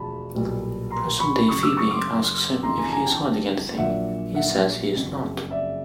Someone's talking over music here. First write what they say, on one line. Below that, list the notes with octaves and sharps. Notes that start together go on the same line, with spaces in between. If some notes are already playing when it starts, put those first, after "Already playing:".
Present-day Phoebe asks him if he is hiding anything; he says he is not.
Already playing: E1 D2 F3 G#3 A5 B5
B1 A#2 G3 B3
A#5 C6
B5 C#6
F#1 F#2 C#3 C#6 D#6
D6 E6
C#6 D#6
C6 D6
G1 F2 C#3 E3 A#5 C6
G#5 A#5
A5
G#5 A#5
G5 A5
A#1 A#2 F#3 E5 F#5
E5 F#5
F#1 F2 C#3
D5 E5